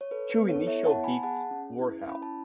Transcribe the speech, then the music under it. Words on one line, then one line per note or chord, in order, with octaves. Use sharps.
Two initial heats were held.
C#5
A4 B4
B4
B3
A4 C#5
E4 C#5 E5
F#5 A5
B3
G#5 B5
G#4 F#5 A5
C#4
E4
C#4 B5
A5